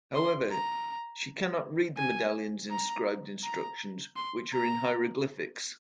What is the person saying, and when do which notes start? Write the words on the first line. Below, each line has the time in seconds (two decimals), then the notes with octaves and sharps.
However, she cannot read the medallion's inscribed instructions, which are in hieroglyphics.
0.15 C6
0.51 A#5
1.97 G#5
2.70 A#5
3.43 A#5
4.16 C6
4.53 A#5